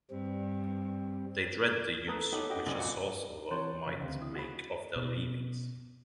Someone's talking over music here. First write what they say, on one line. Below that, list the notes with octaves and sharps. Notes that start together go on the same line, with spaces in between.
They dread the use which a sorcerer might make of their leavings.
G2 G3 C4
A3 A4 B4 A#5 D#6
B3 C#4 D#4 G4 A4
F#4 G4 D#5 G5
C2 F#2 D5 D#5
A#2 F#4 F#5 D6
E3 C4 C#5 F#5 G5 A5 C6
F2 C#3 D5
D2 C3 C5 F5 G5
E4 D#6
G#3 F#4 B4
B2